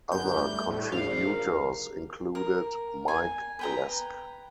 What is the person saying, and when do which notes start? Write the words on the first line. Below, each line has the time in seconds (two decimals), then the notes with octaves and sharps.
Other contributors included Mike Lesk.
0.12 G1 F#2 B3 G6
0.34 G3 A3 D4
0.70 A2
0.92 G#1 G3 D4 F5 G5
1.26 A#4
2.35 A#4
3.08 G#5
3.59 B4 G5 A#5